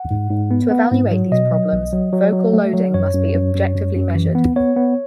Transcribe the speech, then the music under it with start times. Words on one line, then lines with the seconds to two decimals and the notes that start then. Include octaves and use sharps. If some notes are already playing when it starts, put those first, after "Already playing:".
To evaluate these problems, vocal loading must be objectively measured.
Already playing: F#5
0.11 G#2
0.30 G#2
0.51 B3
0.71 B3
0.91 G#2
1.11 F#3
1.32 B2 D#5
1.51 F#3
1.73 B1
1.93 F#3
2.13 F#3
2.33 F#3
2.53 A3
2.74 F#3
2.94 F#2 C#5
3.14 F#2
3.35 F#2
3.55 F#2
3.75 F#2
3.95 F#2
4.15 E3
4.35 B3
4.56 B3 C#5
4.76 B3